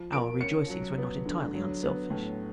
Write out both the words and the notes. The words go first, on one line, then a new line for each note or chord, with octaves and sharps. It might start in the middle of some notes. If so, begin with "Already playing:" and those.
Our rejoicings were not entirely unselfish.
Already playing: F3
A#3 D7
C#4 C#7
F#3
B3
D3
F#3
B3
A2